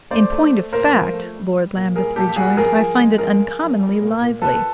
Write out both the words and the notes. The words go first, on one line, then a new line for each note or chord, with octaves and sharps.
"In point of fact," Lord Lambeth rejoined, "I find it uncommonly lively."
A3 C5 D5
A3
A3
A#2 A#4 C5
F3
A3
G3
G3
A#2
G3 G#4 A#4
A#2 G4 A4
G4
G3 F#4 G#4
F3 G#4 A#4
F3
G#3
F3 G#4 A#4
F3
F#2
G3
A#2
A#2
A#2 A4 B4